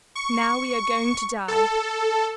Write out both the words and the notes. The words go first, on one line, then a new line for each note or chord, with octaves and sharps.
"Now we are going to die."
C#6
A4